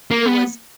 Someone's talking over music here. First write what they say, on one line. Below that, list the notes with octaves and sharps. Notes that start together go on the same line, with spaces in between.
It was
A#3
B3